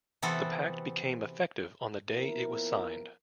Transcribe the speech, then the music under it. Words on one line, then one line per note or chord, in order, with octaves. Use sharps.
The pact became effective on the day it was signed.
C3 E3 B3 C4 F#4 A4
F3 A#3 B3 E4 A#4